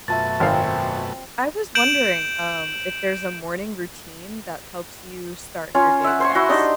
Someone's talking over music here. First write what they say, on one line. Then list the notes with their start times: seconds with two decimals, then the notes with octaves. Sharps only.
I was wondering, um, if there's a morning routine that helps you start your day the best?
0.08 F#2 B2 A3 F4 E5 A5 A6
0.40 G#1 C4 A#4 F5
1.75 G6 D7 E7 F#7
5.74 C#4 F4
6.04 E5 F#5
6.20 C5 G#5 C#6
6.35 E4 F#4
6.49 D4 D#4 G4 D#5